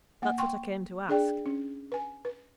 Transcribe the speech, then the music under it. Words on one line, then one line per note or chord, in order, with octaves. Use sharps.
That's what I came to ask.'
A#3 F#5
G5 C6 C#6
D4 G#4 D5 G5
C#4
B4 G#5
B4